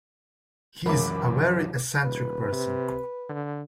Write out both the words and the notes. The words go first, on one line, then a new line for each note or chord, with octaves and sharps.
He is a very eccentric person.
C#2 F#2 C#3 E3 F#3 A#4 B5 D6
D#1 B4
C3
D3